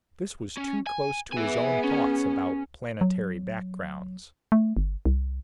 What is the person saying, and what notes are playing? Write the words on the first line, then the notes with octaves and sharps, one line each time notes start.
This was too close to his own thoughts about planetary backgrounds.
C#4
G#5
B3 G#4 E5 G#5
C#4
F#3
A3
G1
C2